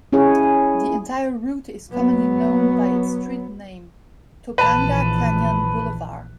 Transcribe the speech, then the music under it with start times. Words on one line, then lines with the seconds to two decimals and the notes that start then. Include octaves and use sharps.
The entire route is commonly known by its street name, Topanga Canyon Boulevard.
0.13 C#4 E4 G#4 C#5
1.92 F#3 B3
4.58 A#1 E3 B4 A5